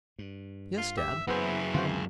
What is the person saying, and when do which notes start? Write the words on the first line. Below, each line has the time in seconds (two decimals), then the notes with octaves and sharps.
"Yes, dad."
0.19 G2
0.78 F4
0.98 G4 E5
1.28 F#2 E3 B3 E4 G#4 C5
1.74 D3 D#3 C4 F4 F#4 C5
1.89 C#2